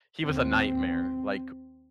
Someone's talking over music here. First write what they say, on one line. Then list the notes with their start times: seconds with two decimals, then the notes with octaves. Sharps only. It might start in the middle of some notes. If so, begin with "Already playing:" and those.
he was a nightmare, like,
0.23 D#2 C4